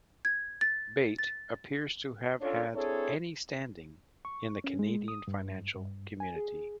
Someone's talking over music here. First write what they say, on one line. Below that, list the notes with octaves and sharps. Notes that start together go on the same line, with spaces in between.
Bate, appears to have had any standing in the Canadian financial community.
G#6
A6
A6
C#4 D4 F4 A4 C#5
C4 D4 E4 G#4 A4 C#5
C#6
C#4
G#3
D#6
G2
G2
G#5
G#4